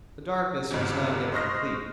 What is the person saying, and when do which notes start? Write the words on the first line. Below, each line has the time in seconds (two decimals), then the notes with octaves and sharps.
The darkness was not yet complete.
0.71 G1 D2 G2 C3
1.32 C5 D#5 C#6 F6 F#6 A#6